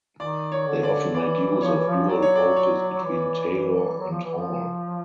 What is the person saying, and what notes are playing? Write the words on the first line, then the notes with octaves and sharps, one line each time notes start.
They often make use of dual vocals between Taylor and Hall.
D#3 D5
C#5
D3
D5
E3 D5
F3 C#5
E3
F3
F#3 D5
C#5
D5
C#5
E3
E3
F#3
F3
E3
F3